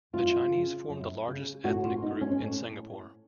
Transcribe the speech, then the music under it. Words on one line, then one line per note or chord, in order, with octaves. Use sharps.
The Chinese form the largest ethnic group in Singapore.
F#2 F4
C#3
F#2
C#3
A2 F#4
F4
D#4
C#4
A2